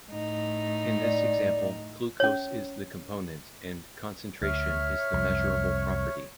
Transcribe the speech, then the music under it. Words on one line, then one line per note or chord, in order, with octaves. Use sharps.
In this example "glucose" is the component and "concentration" is the measurable property.
A2 D#4
D5
C#4 C#5
D2 C#5 E5 F6
C2 F2